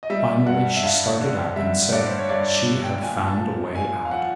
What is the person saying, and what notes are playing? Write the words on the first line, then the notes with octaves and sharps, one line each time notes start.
Finally she started up, and said she had found a way out.
D#5
G3 E5
G2 F#5
E5
G2 F5
D3
G3 E5
G2 D5
C5
C#5
G2 D5
D5
D3
G5
A#2 G#5
A5
F3
A#2 G#5
F5
F3 F#5